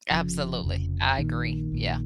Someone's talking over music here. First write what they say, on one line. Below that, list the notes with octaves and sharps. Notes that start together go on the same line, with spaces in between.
Absolutely, I agree, yeah.
F1 F2 C#3 F3
F1 F2 C#3
A#1 A#2 D#3
A#1 A#2